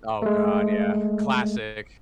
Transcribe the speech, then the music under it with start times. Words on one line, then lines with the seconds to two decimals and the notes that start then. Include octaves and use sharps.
Oh God, yeah, classic.
0.22 G#3 A3